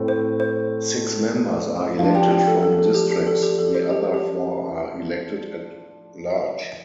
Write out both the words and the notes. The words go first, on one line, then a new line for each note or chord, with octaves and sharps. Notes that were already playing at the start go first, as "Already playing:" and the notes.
Six members are elected from districts the other four are elected at large.
Already playing: A2 A3 C4
C5
C5
F3 D4 F5
G4 G5
G4 G5
A4
A4
A4
G4
G4
A4
G4
A4
C5
G4
G4